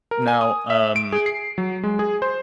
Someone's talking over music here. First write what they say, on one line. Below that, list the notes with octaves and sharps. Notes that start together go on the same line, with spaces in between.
Now, um,
A#4
G#5
D#6
E5
D7
G#4
C7
F#3
G#3
G#4
C5